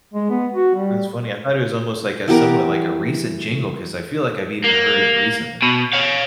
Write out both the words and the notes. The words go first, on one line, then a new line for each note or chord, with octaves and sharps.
That's funny. I thought it was almost like a somewhat like a recent jingle 'cause I feel like I've even heard it recently.
G#3
B3
F#4
G3
E3 B3 G4 A#4
A#3
B2
C#5 F5